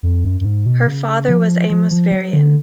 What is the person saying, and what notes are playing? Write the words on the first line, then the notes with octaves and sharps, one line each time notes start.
Her father was Amos Varian.
F2
F#2
F#2
G#2
B2
C#3
F3
F3
F3
F#3
D3